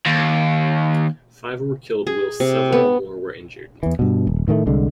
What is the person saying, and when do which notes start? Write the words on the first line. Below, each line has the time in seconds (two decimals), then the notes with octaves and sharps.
Five were killed whilst several more were injured.
0.06 D#2
2.07 G#4
2.40 C3
2.72 B3
3.83 E2 E3
3.99 G2 B2
4.27 D#1
4.48 A2 D#3 E3 A3
4.66 C2 D3 G#3